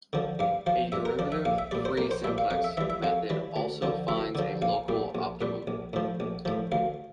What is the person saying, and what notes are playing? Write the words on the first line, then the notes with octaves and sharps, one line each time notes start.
The derivative-free simplex method also finds a local optimum.
D3 F3
G2 F5
F3 F5
G2 E5
A#4
F3 D5
E5
A#1 F5
E5
A#2 G3 D5
C5
A#1 A#4
C5
A#2 G3 E5
F5
F2 F5
E5
E3 G3 E5
E5
F2 F5
E3 G3
D2
D3 F3
D2 E5
D3 F3
A#1 F5
A#2 G3
A#1
A#2 G3
A#1
A2 F3
A#1
A2 F3
D2 F5